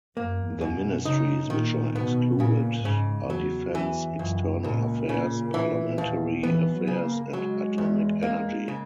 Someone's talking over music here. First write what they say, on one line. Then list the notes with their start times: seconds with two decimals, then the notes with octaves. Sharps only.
The ministries which are excluded are defence, external affairs, parliamentary affairs and atomic energy.
0.16 F#2 A#3
0.46 E2
0.61 F#2
0.76 B2
1.05 C#3 D#4
1.50 A#2 D#3
1.95 B2 B3
2.40 A#2 C#3
2.85 G#2 C#3
3.29 E2 F#3
3.74 E2 E3
4.19 C#2 F#2
4.64 C#2 A#2
5.09 C#3
5.54 E3
5.98 D#2
6.43 E3 B3
6.74 F#3
6.88 C#3
7.04 A#3
7.33 F#3 G#3
7.78 E2
8.22 A#3
8.68 C#3